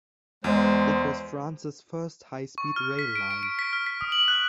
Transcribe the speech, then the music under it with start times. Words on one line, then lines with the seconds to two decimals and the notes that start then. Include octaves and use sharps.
It was France's first high-speed rail line.
0.44 E2 G#3 C5
2.58 C#6
2.76 F6
2.99 B6
3.15 D7
3.31 D7
3.43 D7
3.59 B6
3.73 F6
3.87 B6
4.01 D#6
4.12 F#7
4.28 F#6